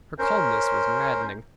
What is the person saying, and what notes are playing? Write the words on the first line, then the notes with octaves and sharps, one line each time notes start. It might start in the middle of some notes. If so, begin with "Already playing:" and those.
Her calmness was maddening.
C#4 A#4 C5